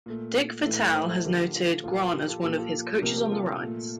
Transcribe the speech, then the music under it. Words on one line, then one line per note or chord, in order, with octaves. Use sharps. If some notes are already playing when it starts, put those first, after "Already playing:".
Dick Vitale has noted Grant as one of his "Coaches on the Rise".
A#2 A3
A2 E3 A3
C5 E5
A4 C5
D3 F3 A3 G4 A#4
F4
A#2 F3 A#3 F4 A4
G4 A#4
F4 A4
A#2 F3 A#3 G4 A#4
F4 A4
C3 F3 A#3 G4 A#4
G4 A#4
F4 A4
A#2 A3